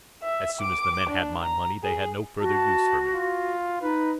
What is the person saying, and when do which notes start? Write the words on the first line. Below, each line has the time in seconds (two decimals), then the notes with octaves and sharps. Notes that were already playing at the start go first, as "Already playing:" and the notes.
As soon as the men had my money they had no further use for me.
0.23 E5
0.61 D6
1.09 D4
1.44 A#5
1.83 G#4
2.41 F#4 A5
3.14 F4
3.82 D#4 B4